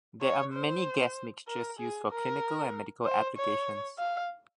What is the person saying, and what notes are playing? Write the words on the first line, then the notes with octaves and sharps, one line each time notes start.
There are many gas mixtures used for clinical and medical applications.
C#5
C5
A#4
G#4
A#4
C5
C#5
F5